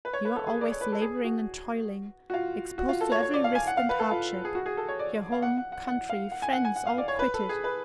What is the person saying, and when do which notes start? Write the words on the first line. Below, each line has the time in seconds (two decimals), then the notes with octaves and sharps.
You are always labouring and toiling, exposed to every risk and hardship. Your home, country, friends, all quitted.
0.05 B4
0.13 C#5
0.25 B4
0.36 A4
0.47 G#4
0.61 D5
0.72 C#5
0.81 B4
0.92 A4
1.01 G#4
1.24 F#4
2.30 F#4
2.34 F4
2.78 F#4
2.89 F4
3.01 A4
3.12 C#5
3.23 C#5
3.34 D5
3.44 F5
3.55 G#5
3.67 F#5
3.77 F5
3.89 B4
3.99 A4
4.11 F4
4.45 G#4
4.55 F#4
4.66 G#4
4.77 A4
4.88 C#5
4.99 D5
5.32 F5
5.42 F#5
5.57 F#5
5.72 F#5
5.87 F#5
6.10 F5
6.32 F#5
6.42 G#5
6.53 F#5
6.65 G#5
6.76 F#5
6.86 F5
6.98 D5
7.08 C#5
7.19 B4
7.34 A4
7.49 G#4
7.64 B4